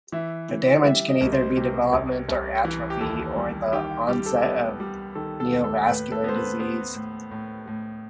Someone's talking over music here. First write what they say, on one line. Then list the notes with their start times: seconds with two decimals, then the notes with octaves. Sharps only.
The damage can either be development of atrophy or the onset of neovascular disease.
0.12 E3 E5
0.49 E3
0.85 G3 E5
1.09 D#5
1.21 C2
1.33 C5
1.57 C3
1.93 C2
2.29 C2
2.65 E3
2.90 G4
3.00 D#2 A4
3.36 G3
3.73 D#3 G4
4.08 G3 G4
4.26 A4
4.44 B3 G4
4.80 G3
5.15 D#3 A4
5.40 A4
5.52 D#2
5.64 A4
5.87 A2 B4
6.12 A4
6.24 B3 C5
6.35 B4
6.59 B3 C5
6.95 A2
7.31 A2
7.68 A2